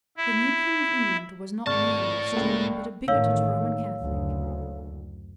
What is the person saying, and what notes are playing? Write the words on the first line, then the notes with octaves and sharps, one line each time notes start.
The new King of England was not merely a strong but a bigoted Roman Catholic.
E4
G#1 A2 D5 A5 C#6 F6
C#2 A3 A#3
A1 D#3 A3 C#5 F5 E6
F#1 D2